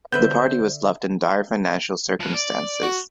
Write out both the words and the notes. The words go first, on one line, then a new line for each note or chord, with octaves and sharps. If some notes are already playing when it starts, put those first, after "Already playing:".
The party was left in dire financial circumstances.
D3 B3 B4 C5 E5 G6
F3 B4
D5
F#4